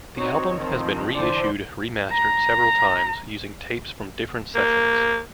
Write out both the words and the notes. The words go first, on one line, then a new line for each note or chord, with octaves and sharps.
The album has been re-issued remastered several times using tapes from different sessions.
C4 D#4 F#4 C#5
D#3 F3 C4
D3 E3 C5 D5
A#5
A#3